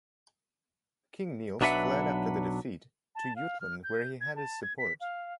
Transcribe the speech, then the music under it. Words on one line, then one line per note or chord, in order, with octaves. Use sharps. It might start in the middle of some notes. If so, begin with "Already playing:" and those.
King Niels fled after the defeat to Jutland where he had his support.
B1 F#3 D4 B4 E5 F#5
A5
F5
F6
G6
G#6
A5
G#6
B6
F5